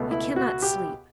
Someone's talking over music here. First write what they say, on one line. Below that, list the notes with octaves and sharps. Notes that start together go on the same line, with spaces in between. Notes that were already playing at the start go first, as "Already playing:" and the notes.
I can not sleep.
Already playing: C#2 B2 A3
E4
F#4
G4